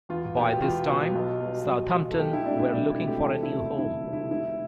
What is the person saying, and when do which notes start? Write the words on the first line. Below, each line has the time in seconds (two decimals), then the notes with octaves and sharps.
By this time, Southampton were looking for a new home.
0.09 E2 F4
0.36 B2 B3 G4
0.62 E2 F4
0.89 B2 B3
1.15 B1
1.41 B2 G3
1.67 B1
1.94 B2 G3
2.11 A4
2.19 B1 G4
2.33 E4
2.46 B2 A3 C4 D4
2.59 E4
2.73 B1 D4
2.90 E4
2.98 B2 A3 C4
3.07 G4
3.25 E1 A4
3.43 E4
3.51 D2 C3 G3
3.78 E1 E4
4.04 D2 C3 G3
4.13 E4
4.31 F1 E4